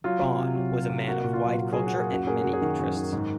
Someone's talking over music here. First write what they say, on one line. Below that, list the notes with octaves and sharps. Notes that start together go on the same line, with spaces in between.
Bohn was a man of wide culture and many interests.
F#3 F4
C3
C3
F#3
F#3
C3
A#3 F#4
A#2
F4
F#3
F#3 F#4
F#3 G#4
F#4
A#3
G#4
F#2 F#4
A#3 G#4
F#2 F#4
G#4
D#3 F#4
F#2
D#3
G#2